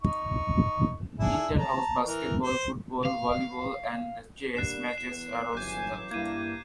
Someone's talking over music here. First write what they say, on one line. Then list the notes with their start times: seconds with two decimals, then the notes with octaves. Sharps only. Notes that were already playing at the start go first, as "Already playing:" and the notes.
Inter house basketball, football, volleyball and chess matches are also held.
0.03 D#4 C#6
1.19 D4 E4 G#4
1.58 A5 A#5
2.05 E3 A#4
2.41 C5
3.05 F5
4.55 G3 A#3 D4 F#6 C7 E7
4.98 E2 B3 E7
5.53 G1 C#3 E3 F#3 G#5 D6 F#6 G6
6.11 G2 A#3 E4 G#6 D#7